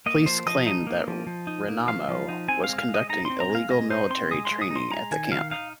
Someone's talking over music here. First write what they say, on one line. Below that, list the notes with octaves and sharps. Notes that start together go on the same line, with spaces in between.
Police claimed that Renamo was conducting illegal military training at the camp.
A#3 D#5
F3 C5
F3 D#5
D#4 D#5
A#3
F3
F3
D#4
A#3
F3 F5
F3
D#4
C4 G#5
F5
G#3
F5
G#3
D#5
D#4 A#5
C4 C6
A#5
G#3
F5
G#3 D#5
D#4 C5
C4 C6
G#3 D#6
C6
G#3
D#6
D#4
C6
G#3 A#5
D#3 G#5
D#3 F5
D#4 F5